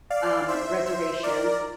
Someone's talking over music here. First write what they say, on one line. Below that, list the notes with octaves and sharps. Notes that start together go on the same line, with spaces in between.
um, reservation,
D5 F5
C5 E5
C5 E5
A#4 D5